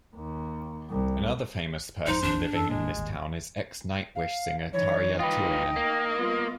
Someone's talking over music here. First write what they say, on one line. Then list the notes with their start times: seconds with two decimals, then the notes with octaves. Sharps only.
Another famous person living in this town is ex-Nightwish singer Tarja Turunen.
0.15 D#2
0.90 C2
2.07 G#1 F2 D#4 C5
2.22 A#1 F2 D4
2.55 F#2 A4
2.69 F1 A2 G#3 A#3
2.95 D#1 G#1 D#2
4.15 F5
4.73 D#3 E3 D4 C#5
5.19 D#4 F4 B4 D#5 G5
5.76 A#3
6.16 G3 B3 F4